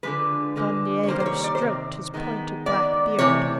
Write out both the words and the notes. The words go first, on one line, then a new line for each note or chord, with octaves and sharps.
Don Diego stroked his pointed black beard.
D3 F3 G#3 B4
D3 F3 G#3
C#5
C3 D#3 G3 A#3 C5
C5
C#5
D5
C5
C3 D#3
D#3 G#3 B3
D#3 G#3 B3 D5
C3 E3 A3 C#5